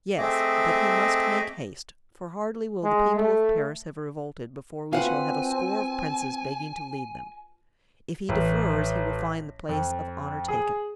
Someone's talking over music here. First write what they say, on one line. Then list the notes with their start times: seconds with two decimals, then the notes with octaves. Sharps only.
"Yes, but he must make haste; for hardly will the people of Paris have revolted before we shall have a score of princes begging to lead them. If he defers he will find the place of honor taken."
0.18 A3 C4 G#4 D#5 E5 D6
2.83 G#3
3.16 A3
4.93 C4 F4 F#4 B4 F5 F#5 G#5
8.29 A1
9.69 F2
10.48 G#4